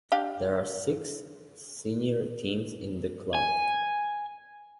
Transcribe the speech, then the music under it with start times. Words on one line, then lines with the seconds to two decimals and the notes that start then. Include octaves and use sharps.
There are six senior teams in the club.
0.12 D4 G4 F5
3.35 G#5